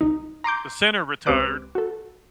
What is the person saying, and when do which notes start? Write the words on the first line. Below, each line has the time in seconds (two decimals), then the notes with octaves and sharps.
the center retired. Ra
0.01 C2 D#4
0.44 A#5 C6 D6 G6
1.26 C#2 C4 G4 B4 D6 F#6
1.75 F#4 A4